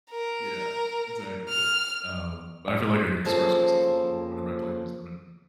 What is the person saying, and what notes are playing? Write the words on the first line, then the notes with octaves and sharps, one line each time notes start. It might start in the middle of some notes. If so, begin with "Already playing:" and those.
yeah, exactly, um, I feel, like, I could express myself a lot more whenever I play an instrument.
A#4
F6
C#3 F3 A#3 A4 C5